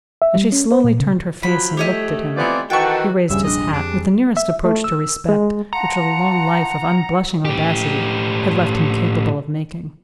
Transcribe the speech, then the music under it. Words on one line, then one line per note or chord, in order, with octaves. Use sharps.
As she slowly turned her face and looked at him, he raised his hat, with the nearest approach to respect which a long life of unblushing audacity had left him capable of making.
E5
G3
C#4
C5
A#2
C#3
F3 F#3 B5
A3 G4 C#5 D#5
E3 F3 B3 C4 F4 D5
D#3 E3 F#4 A4 F#5 G5 A5 C#6
D#1 G2 C#3 G3 G#4 E5
F1 A#1 D4 D#5
F2 D4
E5
A3
E6
G#3
F5 F#5 A5 A#5 C6 C#7
A2 G4